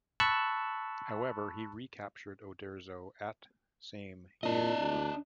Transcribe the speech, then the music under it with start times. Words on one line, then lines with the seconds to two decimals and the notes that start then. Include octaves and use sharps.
However, he recaptured Oderzo at same year.
0.20 A5 B5 C#6 E6 F#6
4.43 A#2 D4 D#5
4.80 D2